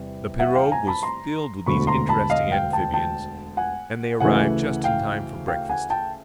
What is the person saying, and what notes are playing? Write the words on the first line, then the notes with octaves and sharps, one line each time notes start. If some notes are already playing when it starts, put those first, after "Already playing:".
The pirogue was filled with these interesting amphibians, and they arrived just in time for breakfast.
Already playing: E2 C3 G3
E5 F#5
F5 G5
G#5 A#5
A5 B5
A#5 C6
E1 D2 D3 B5 C#6
A#5 C6
A5 B5
D#5 F5
F5 G5
G5 A5
G5 A5
F#5 G#5
D2 C#3 E3 A3 F#5 G#5
F5 G5
F5 G5
F#5 G#5
G5 A5